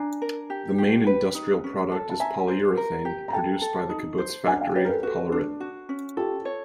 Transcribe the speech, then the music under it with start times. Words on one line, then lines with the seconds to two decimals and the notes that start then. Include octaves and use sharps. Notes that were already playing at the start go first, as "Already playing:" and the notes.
The main industrial product is polyurethane, produced by the kibbutz factory, Polyrit.
Already playing: D4 G#5 A#5
0.22 A#4
0.50 G4
0.78 G4
1.07 B4
1.35 D#4
1.64 C#4
1.92 A4
2.10 A5
2.20 E5 G#5 A#5
2.48 C5
2.77 A#4
3.05 G4
3.28 A#5
3.33 A4 G5 A5
3.62 A4
3.90 D#4
4.18 C5
4.46 D4 F#5 G#5
4.61 F5 G5
4.75 G4 B4 C#5
4.85 A#4
4.89 A4 B4
5.03 F#4 A4 B4
5.32 D4
5.60 F#4
5.89 C#4
6.17 F4 G4 A4
6.45 C#5